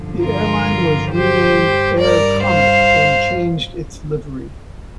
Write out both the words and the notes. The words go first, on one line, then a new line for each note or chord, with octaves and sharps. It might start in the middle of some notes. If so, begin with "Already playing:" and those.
The airline was renamed 'Air Comet' and changed its livery.
Already playing: G2 D3 F3
F4 A#4
G4 C5
G2 G3
A#4 D5
C5 F5